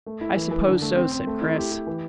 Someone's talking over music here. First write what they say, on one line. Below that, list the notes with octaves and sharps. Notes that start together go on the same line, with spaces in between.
"I suppose so," said Chris.
A3
E4
E3
E3
D3
A3
C4
C4
A3
E4
G4
G4
E3